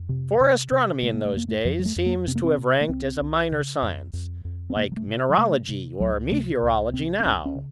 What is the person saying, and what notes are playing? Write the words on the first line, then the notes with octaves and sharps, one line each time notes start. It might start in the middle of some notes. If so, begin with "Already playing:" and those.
For astronomy in those days seems to have ranked as a minor science, like mineralogy or meteorology now.
Already playing: F2
C3
C3
C3
C3 A3
A#3
A3
F2 A#3
A3
F2 F3
F#3
A3
F2
A#3
C3 C4
A#3
C4
C3
A#3
C2 C4
C2
C#3
F2
F2
F2
C4
C3 A#3
F#3
A3
C3
F#3
C3 A3
C3
C#2 F#3
C3 A3
C#2
C3 C4
C4
C#2 C#4
C#4
C#3